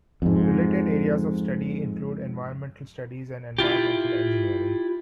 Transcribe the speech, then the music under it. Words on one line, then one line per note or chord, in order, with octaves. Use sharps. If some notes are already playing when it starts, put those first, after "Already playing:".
Related areas of study include environmental studies and environmental engineering.
F2 G#2
E4 F4 G4